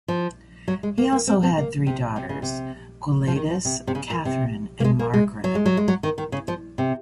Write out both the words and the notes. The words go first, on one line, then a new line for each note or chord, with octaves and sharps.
He also had three daughters, Gwladus, Catherine and Margred.
F3
F#3
G#3
A#3
A#3
C4
C4
A#3
C3
C3
C#3
C3
F3
D#3
F3
C3
C3
C#3
A#2
C3
A#3
G#3
A#3
G#3
F#3
G#3
F#3
G#3
F#3
D#3
D#3
C#3
F3
C3